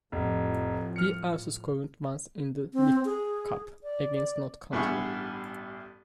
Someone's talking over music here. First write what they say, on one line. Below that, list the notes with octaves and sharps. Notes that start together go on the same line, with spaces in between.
He also scored once in the League Cup against Notts County.
F1 A2 F3
F6 C#7
C4
G#4
D5
A1 G2 B3 E4 G#4 C#6